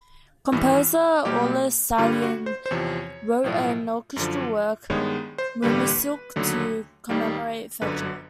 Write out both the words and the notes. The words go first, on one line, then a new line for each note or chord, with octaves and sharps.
Composer Aulis Sallinen wrote an orchestral work "Mauermusik" to commemorate Fechter.
G#1 G2 E3
B1 B2 G3 A#3 G4
G2 D3 G3 A#3 F4
F#4
C5
C5
E2 C3 F3 C#5
B1 A2 F3
F#2 D3 F3
G2 D#3 G#3 B3 C#5
C5
A1 G2 D3 G3 A#3 B4
D#2 D3 F#3 A3
D#2 D#3 G3 A#3
G1 F#2 D3 B4